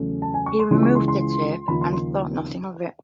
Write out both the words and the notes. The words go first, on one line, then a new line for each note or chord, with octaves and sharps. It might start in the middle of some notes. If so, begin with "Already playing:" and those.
He removed the tape, and thought nothing of it.
Already playing: E2 C#3 F#3 A3 C#4
A5
G#5
C#6
C6
C#2 C#3 E3 G#3 C#4 C6
C#6
C6
C6
D#2 C#3 F3 A#3 D#4 B5
C6
C6